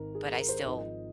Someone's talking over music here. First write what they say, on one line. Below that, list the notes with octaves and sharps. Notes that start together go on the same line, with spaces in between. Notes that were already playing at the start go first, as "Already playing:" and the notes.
But I still
Already playing: G#1 G#2 D#3 A#4
G#4
A#4
C5
G#1 G#2 F3 D#5